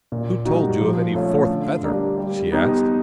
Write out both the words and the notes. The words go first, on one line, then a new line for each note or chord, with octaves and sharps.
"Who told you of any fourth feather?" she asked.
A#2
G3 A#3 D#4 F#4
F3
A3 C#4 F4
D3
G3 A#3 D4
G3
B3 D#4 G4